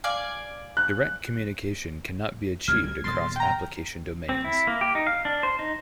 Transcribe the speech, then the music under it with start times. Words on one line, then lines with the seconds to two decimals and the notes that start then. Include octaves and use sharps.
Direct communication cannot be achieved across application domains.
0.04 D5 F5 G#5
0.77 F#6
2.68 D1 D2 G3 F6 G#6
3.04 D#1 E2 C6 A6
3.36 G5 A#5
4.29 C4
4.44 E4
4.67 A#3
4.81 G4
4.95 D#4
5.07 F5
5.25 D4
5.43 C5
5.59 D#4